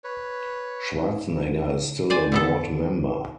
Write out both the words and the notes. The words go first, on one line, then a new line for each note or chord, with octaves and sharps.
Schwarzenegger is still a board member.
B4 C#5
C5 D5 G#5
D3 B3 A4